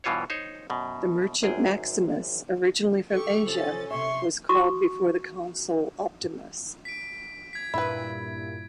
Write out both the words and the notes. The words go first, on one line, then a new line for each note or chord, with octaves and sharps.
The merchant Maximus, originally from Asia, was called before the consul Optimus.
G2 B2 E3 F4 C5 C#5
D#4 C5 C#5
F#2 B2
G#1 F#2 G#4 G5
G4 A4 C#6
C3 F3 C#4 A6
C3 E5 C6 C#6
F#4 C#6 D#6
B6 D7
G#6 B6
G2 A#2 E4 B4 E5 B5